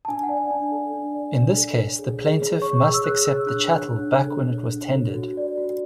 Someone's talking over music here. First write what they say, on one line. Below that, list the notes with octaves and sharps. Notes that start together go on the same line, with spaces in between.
In this case, the plaintiff must accept the chattel back when it was tendered.
A5
D4 G#5
F#5
D5
G#5
D4 A5
A4
D4
D5
D4
A4
C#5
G#4
G#4
C#5
C#5 C#6
G#4 E6
E6
G#4 F#6
C#5 E6
D4 F#6
C#5
D4
A4
D4
C#5
D4
A4
F#4
D5
F#4